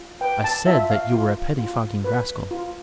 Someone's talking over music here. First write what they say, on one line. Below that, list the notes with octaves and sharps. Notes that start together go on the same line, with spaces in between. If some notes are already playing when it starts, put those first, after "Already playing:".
I said that you were a pettifogging rascal.
Already playing: F4
B4 G5
A5
F4 E5
F5
F4
F4
B4
F4